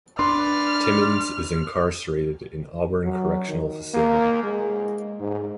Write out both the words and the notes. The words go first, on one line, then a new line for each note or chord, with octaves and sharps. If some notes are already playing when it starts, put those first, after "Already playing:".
Timmons is incarecerated in Auburn Correctional Facility.
D4 B4 D5 C6 F6
F#3
D#3
A#3
G#3
G#2